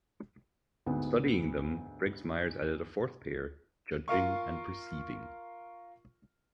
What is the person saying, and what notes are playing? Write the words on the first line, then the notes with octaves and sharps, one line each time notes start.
After studying them, Briggs Myers added a fourth pair, Judging and Perceiving.
D2 G#2 B3
F4 A#4 F5 C#6